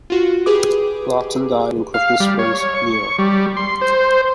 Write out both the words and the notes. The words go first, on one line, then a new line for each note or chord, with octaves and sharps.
Lawton died in Clifton Springs, New York.
F4 F#4
G4 G#4 B4 D6
F5
G3
C#5
C#6
G3
C6
C5